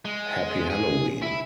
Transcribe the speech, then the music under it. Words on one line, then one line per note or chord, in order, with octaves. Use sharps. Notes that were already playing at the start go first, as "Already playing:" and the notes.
Happy Halloween!
G#3
G#4
E4